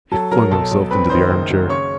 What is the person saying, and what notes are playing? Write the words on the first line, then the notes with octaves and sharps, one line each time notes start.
He flung himself into the armchair.
F#3 A4 A5
F#3 A#4 A#5
B1 A4 A5
B1
C4 B4 B5
D#3 C5 C6
F#1
F#3
C#3 C#5 C#6